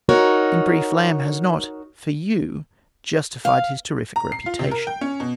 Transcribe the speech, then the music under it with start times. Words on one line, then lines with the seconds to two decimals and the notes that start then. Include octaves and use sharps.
In brief, Lamb has not, for you, justified his terrific reputation.
0.09 D#4 F#4 A#4 C#5
3.45 F5
4.16 A#5
4.32 C7
4.46 F4
4.59 C3
4.71 A#4
4.87 G5
5.01 C#4
5.20 B2